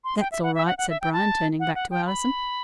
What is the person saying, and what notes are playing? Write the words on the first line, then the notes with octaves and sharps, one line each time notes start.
"That's all right," said Bryan, turning back to Allison.
C6
G5
E5
F#5
E5
F#5
F#5
E5
G5
A5
F#5
F#5
G5
B5